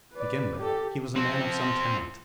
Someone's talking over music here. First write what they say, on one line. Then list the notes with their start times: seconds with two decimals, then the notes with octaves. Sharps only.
To begin with, he was a man of some talent.
0.14 B4 D5
0.60 G4 A4
1.16 F3 C4